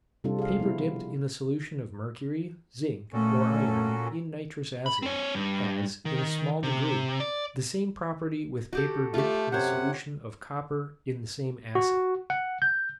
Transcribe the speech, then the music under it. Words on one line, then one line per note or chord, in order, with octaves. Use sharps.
Paper dipped in a solution of mercury, zinc, or iron, in nitrous acid, has, in a small degree, the same property with paper dipped in a solution of copper in the same acid.
C3 G3 C4 D4 F4 A4
G#4 F5
B2 F3 B3 E4
A#2 A3 C#4 F#4 A4
B5
C4 C#5
G2
D#3
C3
D5
F#4 G4 A4
A3 F4 G4
F#2 C3 C5 C#5 F#5
F#4
F#5
G6